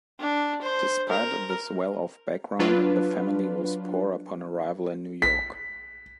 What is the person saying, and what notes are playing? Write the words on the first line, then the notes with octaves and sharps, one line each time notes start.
Despite this well-off background, the family was poor upon arrival in New York.
D4
C5
A#4
F#3 D4 F4 B4
B6